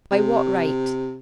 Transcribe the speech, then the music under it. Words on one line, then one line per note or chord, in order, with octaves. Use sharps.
By what right?
C3